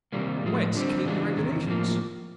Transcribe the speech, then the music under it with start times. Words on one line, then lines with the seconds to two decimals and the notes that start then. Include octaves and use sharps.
Whence came the regulations?
0.12 C3 D#3 G3 A#3
0.43 A2 F3 G#3
0.74 D3 G3 C4
1.05 C#3 E3 G#3 B3 D4
1.36 E2 C3 D#3
1.67 A2 F3 A#3